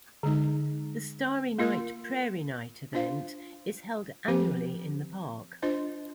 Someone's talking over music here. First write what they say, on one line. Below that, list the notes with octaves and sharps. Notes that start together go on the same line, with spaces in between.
The Starry Night, Prairie Night event is held annually in the park.
D3 G#3 D#4
A#3 F4 A#4
D4 F4 C5 F5
F3 C4 G4 C5
D4 F4 C5 D#5